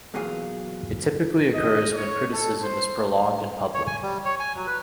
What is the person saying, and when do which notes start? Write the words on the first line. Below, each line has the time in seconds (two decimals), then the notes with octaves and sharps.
It typically occurs when criticism is prolonged and public.
0.14 B1 E2 A#2 F#3 G#4 F5
1.52 D#5
1.93 C#5
2.31 A4
2.61 C5
3.74 C#5
3.87 G#5
4.02 G3
4.25 C#5
4.40 G#5
4.55 F#3
4.67 B4